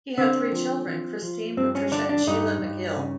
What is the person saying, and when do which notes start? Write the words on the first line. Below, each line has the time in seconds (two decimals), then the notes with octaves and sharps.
He had three children, Christine, Patricia and Sheila MacGill.
0.18 D3 C4
0.52 F3
0.87 F3
1.22 F3
1.57 G2 C4
1.75 C#4
1.91 D3 D4
2.09 D4
2.27 G2 D#4
2.62 G2
2.97 C#3